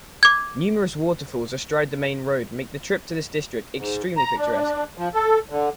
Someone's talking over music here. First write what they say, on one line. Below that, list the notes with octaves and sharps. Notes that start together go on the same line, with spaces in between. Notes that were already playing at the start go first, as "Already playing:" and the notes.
Numerous waterfalls astride the main road make the trip to this district extremely picturesque.
D6 G#6
G#2
A#5
D4
F3
A4
D3